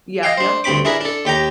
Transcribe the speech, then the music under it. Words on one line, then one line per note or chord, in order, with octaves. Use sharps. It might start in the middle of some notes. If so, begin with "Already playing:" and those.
Yeah, yep.
D#5 F5 G5
D4 C5
D2 G2 C4 B5 D6
D4 E4 G#4 A#4 B4
D4 A4
D#2 G4 G5 A#5